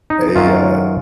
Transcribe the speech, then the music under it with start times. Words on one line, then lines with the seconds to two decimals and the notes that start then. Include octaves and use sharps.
a, uh
0.10 D#4
0.35 F#2 D#3 F#3 F4